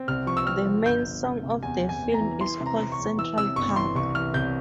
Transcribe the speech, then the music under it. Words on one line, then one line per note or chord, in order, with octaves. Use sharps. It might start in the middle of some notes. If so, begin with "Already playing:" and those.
The main song of the film is called "Central Park".
Already playing: C4
C2 F6
F3 C#6
E6
C4 F6
F3
G1 G6
G1
C3
C3
E2 G#5
E2
G#5
E2
A#5
E3
E3 C6
C3
A#5
C3
C#6
E2
E3 E6
C3 E6
G1 C#6
E3 C6
C2 C#6
E3 F6
C2 G6